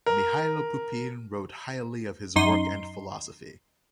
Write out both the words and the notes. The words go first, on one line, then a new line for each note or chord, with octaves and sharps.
Mihailo Pupin wrote highly of his work and philosophy.
A#4
F#2 D#4 C6